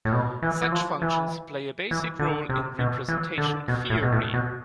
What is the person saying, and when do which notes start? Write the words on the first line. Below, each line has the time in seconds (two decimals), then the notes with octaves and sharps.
Such functions play a basic role in representation theory.
0.05 A2
0.13 B2
0.42 E3
0.62 E3
0.72 F3
1.02 E3
1.91 E3
2.19 D3
2.49 C3
2.79 B2
3.08 E3
3.38 D3
3.68 B2
3.90 A2
4.02 B2
4.12 A2
4.34 B2